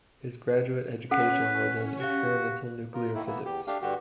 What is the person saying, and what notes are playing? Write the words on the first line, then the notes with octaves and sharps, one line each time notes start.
His graduate education was in experimental nuclear physics.
C#4 A4 B4 F#5
F#4 G4 F5
F4 A#4
A2 D#3 A3 A#3 E4
E3 A#3 B3 E4
E2 G4
A3 D4 G4 F5
G2 D3 F#4 G4